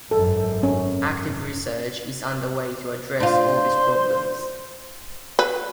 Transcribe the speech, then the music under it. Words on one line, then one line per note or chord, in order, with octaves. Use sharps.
Active research is underway to address all these problems.
G#1 F#2 A4
C#4
D4 F4 C5
B4